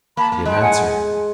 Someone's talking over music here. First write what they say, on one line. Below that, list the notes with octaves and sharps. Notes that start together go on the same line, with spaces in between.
He didn't answer.
A#3 A5 B5
A#3
G#3 G5 A5
F#5 G#5